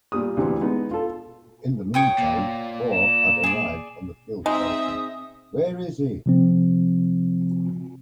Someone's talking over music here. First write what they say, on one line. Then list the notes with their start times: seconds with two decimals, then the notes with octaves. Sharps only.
In the meantime, Baugh had arrived on the field shouting 'Where is he?
0.12 A#2 G3 D#6
0.37 D2 C3 E3
0.61 G#3 B3 D#4
0.91 F4 A4
1.94 C#5 G5 D#6
2.18 A#2
2.92 E7
3.43 G#4 D5
4.46 G#3 C4 D#4 G#4 E5 D#6
6.26 C3 F3 C4